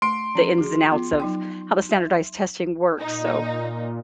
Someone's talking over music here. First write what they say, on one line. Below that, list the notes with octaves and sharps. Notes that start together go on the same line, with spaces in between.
the ins and outs of how the standardized testing works, so
A3 C6 D7
F3 C#4
F#4 G#4
B3 F4
F#3 D#4 G5
E5
A#2 D#4